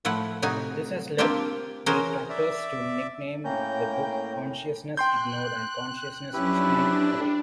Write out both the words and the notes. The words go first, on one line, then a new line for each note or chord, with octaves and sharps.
This has led detractors to nickname the book "Consciousness Ignored" and "Consciousness Explained Away".
A2 F3 A3 E4 F#5
A2 C3 D#4 F#4 G#5
A#3 C4 D4 F4 G4 C5
E3 C#4 F#4 G#4 A#4 C5
D5 E5
A2 A#3 C#4 G5 A#5 G6
G5 C6 F#6 G6
F2 F#3 C#4 D4 E4 G4 B4